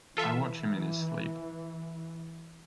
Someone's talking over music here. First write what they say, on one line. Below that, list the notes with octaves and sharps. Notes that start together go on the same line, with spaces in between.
I watch him in his sleep.
E3 F4 A4 E5